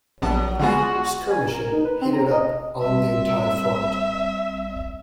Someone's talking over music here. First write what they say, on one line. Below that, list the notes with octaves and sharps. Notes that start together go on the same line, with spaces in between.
Skirmishing heated up along the entire front.
A#1 F#3 B3 D5 A5
D3 G#3 B3 F4 F#4 G#4
G#5
A#4
D#4
B4
C4
A#5
D#5
G3 C4 E5